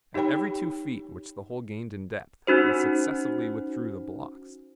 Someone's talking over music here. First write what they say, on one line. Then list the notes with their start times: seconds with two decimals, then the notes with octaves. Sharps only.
At every two feet which the hole gained in depth they successively withdrew the blocks.
0.14 D#4 G4 C#5 G5 B5
2.47 C#4 D#4 F#4 C5